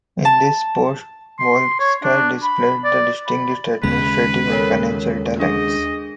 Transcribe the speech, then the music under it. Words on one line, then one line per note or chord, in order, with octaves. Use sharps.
In this post Volynsky displayed distinguished administrative and financial talents.
A5
C6
C#5
D4
B5
D5
B5
D#2 C#3 G#3 B4 B5
A4 A#4 C#5
D4 G#4 D#5